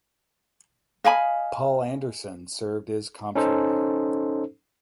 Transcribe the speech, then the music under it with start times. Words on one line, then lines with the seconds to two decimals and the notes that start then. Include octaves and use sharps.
Paul Anderson served as Comptroller.
1.04 D#5 F5 G#5 B5
3.35 C#4 D#4 A4 C5